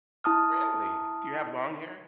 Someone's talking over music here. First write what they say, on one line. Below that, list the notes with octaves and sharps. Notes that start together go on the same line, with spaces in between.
Really? Do you have long hair?
E4 A5 D#6 F6